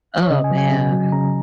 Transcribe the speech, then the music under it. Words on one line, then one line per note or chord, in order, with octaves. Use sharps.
Oh, man.
C#5
C#3 D#5
G#5
F#3
G#5
C#3
F#3
C#3 A#5